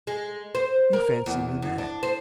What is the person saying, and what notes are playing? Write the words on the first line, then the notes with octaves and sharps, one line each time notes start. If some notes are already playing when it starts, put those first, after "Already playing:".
You fancy me mad.
G#3
C5
A#4
E2
F#2
D4
C5